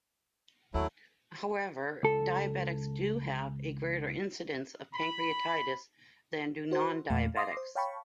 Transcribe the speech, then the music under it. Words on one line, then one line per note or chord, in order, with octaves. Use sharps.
However, diabetics do have a greater incidence of pancreatitis than do non-diabetics.
D#2 F#3 A3 E4
C#2 A4
B5
F#4 C5
E2 A#2 A3 F5
F5 C6 D6 D#6 A#6 C7
C5
C#5 F5 G5 A5 B5 C#6